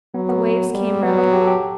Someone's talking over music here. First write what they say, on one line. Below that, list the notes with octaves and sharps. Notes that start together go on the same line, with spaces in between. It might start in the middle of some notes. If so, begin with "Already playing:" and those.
The waves came round her.
F#3 B3
B3
G3
F#3 B3
B3
G4
A4
G4